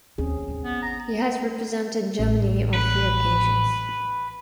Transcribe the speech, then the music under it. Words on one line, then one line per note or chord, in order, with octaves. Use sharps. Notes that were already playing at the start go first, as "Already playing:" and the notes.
He has represented Germany on three occasions.
D#2 C4 C#4 G#4
G#1 D3
B3
A#5
A1
B4